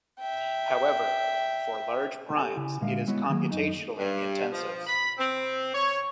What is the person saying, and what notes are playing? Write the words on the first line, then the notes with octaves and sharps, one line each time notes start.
However, for large primes it is computationally intensive.
E5 G5
G4 A4 C#5 D5 G#5
C#3 E4 G#5
A#2 D3 G#3 A#4 E5 F5
G#3 B3 E4 F#4 C#5
D#3 F#3 A#3 G#4
F#2 D#4
G2
F3
B5
C4
C#5